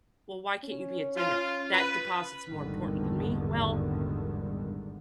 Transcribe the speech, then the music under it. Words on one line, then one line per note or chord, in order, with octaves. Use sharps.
"Well, why can't you be at dinner? That deposit's more important than me?" "Well,
C#4
F4
B4
G#1 E2 G2 A#2 D3 D#3